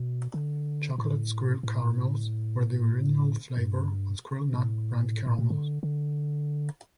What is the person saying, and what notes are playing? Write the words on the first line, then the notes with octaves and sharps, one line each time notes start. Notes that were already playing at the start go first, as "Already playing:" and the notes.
Chocolate Squirrel caramels were the original flavor of Squirrel Nut brand caramels.
Already playing: B2
D3
A2
A2
G2
A2
A2
B2
D3
D3